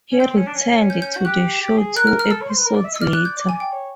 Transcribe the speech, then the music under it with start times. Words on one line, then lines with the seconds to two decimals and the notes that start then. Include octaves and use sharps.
He returned to the show two episodes later.
0.12 C#4
0.20 C4 G6
0.30 C4
0.37 C#4
0.47 D4
0.54 C#4
0.90 G6
1.02 G6
1.14 F#4 G6
1.25 G4 F#6
1.60 G4
1.78 G#4
1.96 A#4 F#6
2.07 F6
2.19 F6
2.31 A4 E6
2.42 C#5
2.50 C5
2.58 B4
2.66 A#4
2.75 D5
2.84 E5
2.93 D#5 E6
3.01 D5 F6
3.13 F#6
3.25 G6
3.37 D5 D6
3.49 G#5
3.60 G5
3.72 C#5